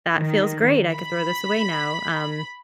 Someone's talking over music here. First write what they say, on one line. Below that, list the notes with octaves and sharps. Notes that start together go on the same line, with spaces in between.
"That feels great. I could throw this away now." Um,
D#3
B5